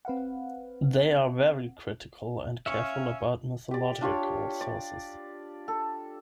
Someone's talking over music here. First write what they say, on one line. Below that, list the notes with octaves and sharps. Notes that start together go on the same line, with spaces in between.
They are very critical and careful about mythological sources.
C4 B4 F5 F#5
C#4 E5 F5 C#6
G4 D5
D4 F4 G4 C#5
D5
A4